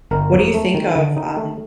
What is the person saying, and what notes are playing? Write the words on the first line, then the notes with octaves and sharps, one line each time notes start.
What do you think of, um
G1 A#4
F2
A3
D#3
D3
D#4
A3